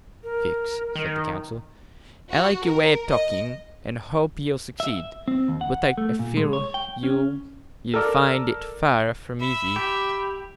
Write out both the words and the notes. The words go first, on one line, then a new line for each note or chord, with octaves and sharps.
Fix," said the consul, "I like your way of talking, and hope you'll succeed; but I fear you will find it far from easy.
A#4
D#3
F#4
A#4
D#5
E5
C4
D#2
F#5
A3
A#2
G#3
C#5
G5
C#4
A4 A#4 D5
E5 B5
G4